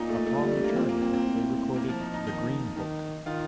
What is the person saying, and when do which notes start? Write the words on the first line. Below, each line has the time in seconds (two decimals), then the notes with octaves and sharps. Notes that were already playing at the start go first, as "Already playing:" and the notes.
Upon returning they recorded "The Green Book".
Already playing: A#2 D#4
0.09 A3
0.26 A3
0.38 G3
0.51 F2 A3
0.61 G2
0.64 A#3
0.68 A2
0.76 A#2 C4
0.89 A#3
1.01 C4
1.14 C4
1.26 A2
1.76 A#3
1.89 F3
2.01 D#4
2.14 D#4
2.26 D#3 D#4
2.76 D#3
3.26 D#3 F4